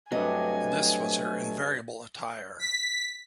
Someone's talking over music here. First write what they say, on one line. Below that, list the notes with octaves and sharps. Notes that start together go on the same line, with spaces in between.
This was her invariable attire.
G2 C3 F#3 A3 D#5 G#5
B6